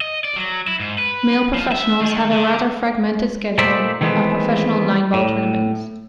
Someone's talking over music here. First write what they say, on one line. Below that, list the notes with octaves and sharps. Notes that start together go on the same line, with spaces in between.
Male professionals have a rather fragmented schedule of professional nine-ball tournaments.
D#5
D5
F#3
E4
G#2
B4
F3
E5
D#3
D3
A#2 A3 D#4 C5 D5 E5
D#3 E3 G#3 A3 B3 C4
A2